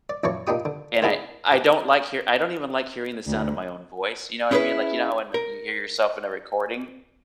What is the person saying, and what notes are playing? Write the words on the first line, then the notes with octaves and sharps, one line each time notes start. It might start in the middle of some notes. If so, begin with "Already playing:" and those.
and I I don't like hear I don't even like hearing the sound of my own voice, you know what I mean? Like, you know how when you hear yourself in a recording?
D5
A#1 F#2 E3 C#5 D5 C#6
A#2 D4 D#4 G4 D#6
D3
A#3 C4 D4 E4 G#4
G4
D2
C#4 E4 G#4 A#4 B4
A#4